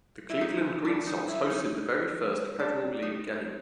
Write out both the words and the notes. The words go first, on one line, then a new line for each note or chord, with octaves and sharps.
The Cleveland Green Sox hosted the very first Federal League game.
E4
D#4
D4
D#4
E4
D#4
D4
D#4